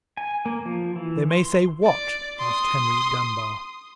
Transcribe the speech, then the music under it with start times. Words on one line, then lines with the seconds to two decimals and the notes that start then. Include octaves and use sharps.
"They may say what?" asked Henry Dunbar.
0.17 G#5
0.46 A#3
0.66 F3
0.96 E3
1.30 C6
1.84 D5
2.39 C6 D#6